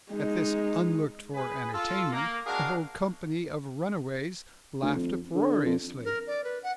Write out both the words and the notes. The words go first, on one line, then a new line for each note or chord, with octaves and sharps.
At this unlooked-for entertainment, the whole company of runaways laughed uproariously.
G#3 D#4
G#4 B4
F4 A4
A#3
G#3 D4 F#4 G#4 A#4 F5
D2
F2
D3
F2
A#4
D5
B4
F#5